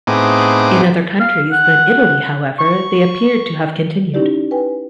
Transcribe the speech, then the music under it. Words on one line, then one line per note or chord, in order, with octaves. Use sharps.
In other countries than Italy, however, they appear to have continued.
A2 B3 C4 D#4 G#4 D6
F5
F#5
C#6
C#4 D#4 E4 G4 D5
B4 G5 G#5